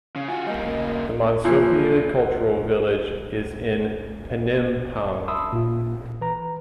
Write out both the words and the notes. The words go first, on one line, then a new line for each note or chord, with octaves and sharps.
The Monsopiad Cultural Village is in Penampang.
C#3 F5
F4 F#4 G#5
G3 A#3 D#5
C#3 A#3
A#2 E3 F3
E5 A5 B5 C6 D#6 E6
A#2 F4
E3 B4 A#5